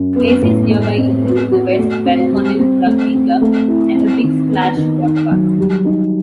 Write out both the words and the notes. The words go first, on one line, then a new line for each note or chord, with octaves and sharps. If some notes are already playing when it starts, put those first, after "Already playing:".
Places nearby include the West Belconnen Rugby Club and the "Big Splash" Waterpark.
Already playing: F#2
B3
A2
A3
C4
B3
F#4
A3
C4
G3
C4
A3
C4
A3
E4
C4
D#3
B3
D#3
D#4
F#3
G3
D#4